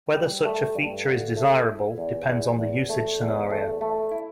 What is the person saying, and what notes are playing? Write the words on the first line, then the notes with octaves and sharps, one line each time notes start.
Whether such a feature is desirable depends on the usage scenario.
G3
A3
G2
D3
A3
E4
E2
E2
E2
A3
E2
A3
A3
E4